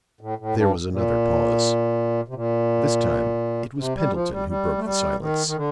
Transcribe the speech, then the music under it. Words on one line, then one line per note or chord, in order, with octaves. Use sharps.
There was another pause; this time it was Pendleton who broke the silence.
A2
A2
G2
A#2
C3
A#2
C3
G3
F3
G3
G3
A3
G3
D#3
D#3
D3